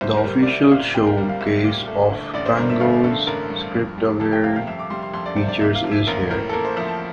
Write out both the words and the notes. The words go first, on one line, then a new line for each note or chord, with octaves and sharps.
The official showcase of Pango's script-aware features is here.
C2 C5
A#4
G3
D5
C2 E5
A#2 F5
C2 G5
A#4
G3 A#4
F5
C2 E5
A#2
A3
D3
A1 D5
C5
G2 A#4
E5
A3 F5
D3 A4
A1 A#4
G2
F2
G3
F2 A4
G5
C3 F5
F5
F2 E5
D6
G3 C6
C6
F2 C6
D5
C3 C5
D5
A#3 E5
F5
F3
E5
A1 A#4
A2 A#4
A4
A#3 A#4
C5
F3 E5
A5